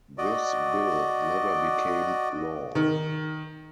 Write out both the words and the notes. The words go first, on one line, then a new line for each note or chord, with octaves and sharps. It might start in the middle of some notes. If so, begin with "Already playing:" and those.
This bill never became law.
F#4 D5 D#5
D#3